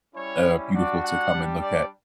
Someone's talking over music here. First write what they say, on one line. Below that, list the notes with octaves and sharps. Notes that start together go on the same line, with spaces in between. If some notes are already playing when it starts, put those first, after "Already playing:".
uh, beautiful to come and look at.
G3 C#4 E4 C#5
G3 D4 F#4 D5
F#5
G3 D4 G4
D5